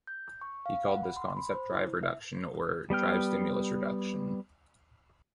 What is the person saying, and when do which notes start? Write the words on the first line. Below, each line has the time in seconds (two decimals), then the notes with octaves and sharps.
He called this concept drive-reduction, or drive-stimulus reduction.
0.07 G6
0.41 C#6
0.66 F5
0.88 F#5
1.03 B5
1.17 C6
1.37 B5
1.54 C5
1.71 E4
2.03 E5
2.90 G3 B3 G5 F6